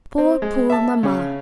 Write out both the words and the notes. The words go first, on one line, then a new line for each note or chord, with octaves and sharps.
Poor, poor mamma!
C4
G#3
E5 A5
C#3 C#4